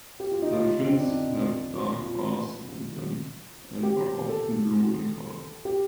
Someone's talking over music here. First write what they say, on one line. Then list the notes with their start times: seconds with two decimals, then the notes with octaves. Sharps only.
Their fins have dark bars on them and are often blue in colour.
0.20 G4
0.31 F4
0.42 D#4
0.52 F4
0.87 C4
0.99 D4
1.11 D#4
2.02 F4
3.83 G4
4.29 A4
5.65 G4